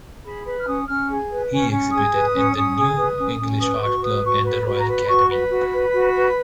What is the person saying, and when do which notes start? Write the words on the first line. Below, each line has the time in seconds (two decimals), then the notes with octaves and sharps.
He exhibited in the New English Art Club and the Royal Academy.
0.24 G#4 B5
0.45 B4 B5
0.58 F6
0.67 C#4 D#6
0.87 C#4 F6
1.09 G#4
1.30 B4
1.51 C#4
1.71 C#4
1.92 G#4 D#6
2.13 B4
2.34 C#4
2.56 C#4
2.77 G#4
2.97 B4
3.18 C#4
3.41 C#4
3.61 B4 D#6
3.83 F#4 C#6
4.03 B4 D#6
4.24 F#4 C#6
4.45 B4 B5
4.66 F#4 B5
4.79 A#5
4.87 B4 B5
5.08 F#4 C#6
5.29 B4 B5
5.50 F#4
5.72 B4
5.93 F#4
6.15 B4